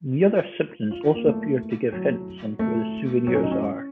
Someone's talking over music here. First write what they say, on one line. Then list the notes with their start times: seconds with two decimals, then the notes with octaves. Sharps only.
The other Simpsons also appear to give hints on where the souvenirs are.
0.24 F4
0.91 F4
1.14 A#3
1.25 A3
1.92 F#3
2.59 A3
3.27 F#3
3.35 C#4
3.43 D#4
3.51 C#4